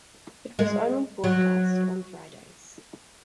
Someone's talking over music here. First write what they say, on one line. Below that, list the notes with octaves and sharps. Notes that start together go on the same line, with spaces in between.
It was only broadcast on Fridays.
G#3
F#3